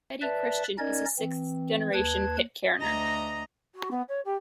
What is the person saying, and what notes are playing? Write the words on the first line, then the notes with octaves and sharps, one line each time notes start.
Betty Christian is a sixth-generation Pitcairner.
B4 D5 E5 A5
C#4 D#4 A#4 D5 D#5 G#6
E3 C4
D#2 B4 A5 G#6
D2 D#5 A#5 A#6
F#4
B3
C#5
G4